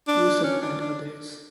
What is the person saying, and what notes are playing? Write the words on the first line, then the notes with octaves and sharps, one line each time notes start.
Yusuf and others.
D4
C#4
D4
D4